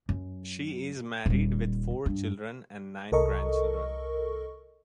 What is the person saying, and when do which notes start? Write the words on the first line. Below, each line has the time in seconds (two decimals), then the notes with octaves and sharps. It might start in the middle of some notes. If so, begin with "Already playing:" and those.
She is married with four children and nine grandchildren.
0.09 F#2
1.26 D#1 G3
2.06 G2
3.12 C2 A4 A#4 D#5 C#6